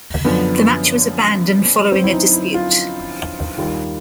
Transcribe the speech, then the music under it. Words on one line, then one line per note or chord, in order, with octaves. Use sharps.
The match was abandoned following a dispute.
F#2 D3 F3 B3
C4
E4
D#4
E4
F4
D#2 D#3 G3 A#3 F4